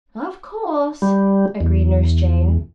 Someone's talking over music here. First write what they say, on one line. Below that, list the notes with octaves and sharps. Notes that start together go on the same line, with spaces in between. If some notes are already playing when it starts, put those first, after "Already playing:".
"Of course," agreed Nurse Jane.
G3
E2